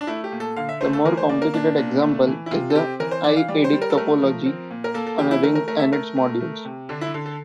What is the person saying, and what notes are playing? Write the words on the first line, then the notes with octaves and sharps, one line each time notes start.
A more complicated example is the "I"-adic topology on a ring and its modules.
D4
A3 E4
G4
A#2
A4
D3 F5
E5
A3 C5
A4
E3 A#4
C5
A#3 D5
A#4
A#2 D4
A#2
A3
E3
E4
C3 F4
A4
C4 G4
E3 A#4
C5
E3 D5
F5
G3 D5
C5
G3
A#4
A4
A3 A#4
F3
C4
A#2
A#4
A#3 A4
A4
E3 G4
E4
A3 A#4
A#4
A3 A#4
E5
A3 A#4
A3
A3
C3
D3 D4
E4
D3
A4